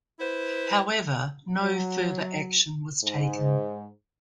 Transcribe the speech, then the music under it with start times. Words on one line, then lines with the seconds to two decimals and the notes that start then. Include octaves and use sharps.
However, no further action was taken.
0.18 E4 B4 C5
1.63 F#3
3.04 G#2